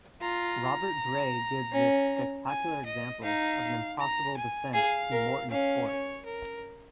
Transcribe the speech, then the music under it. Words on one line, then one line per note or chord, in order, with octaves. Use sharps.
Robert Gray gives this spectacular example of an impossible defense to Morton's Fork.
F4 A#5
C#4
G#5
D#5
D#4 F5
A#5
G#5
G#4 F5
A#4
C#4 F5
C#5
A#4